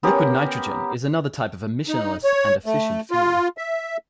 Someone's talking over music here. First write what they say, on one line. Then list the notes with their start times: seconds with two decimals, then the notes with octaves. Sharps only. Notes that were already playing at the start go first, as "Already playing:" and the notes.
Liquid nitrogen is another type of emissionless and efficient fuel.
0.03 B3 C#4 G4 A#4
1.88 D#4
2.24 C#5
2.66 A3
3.11 F4
3.58 E5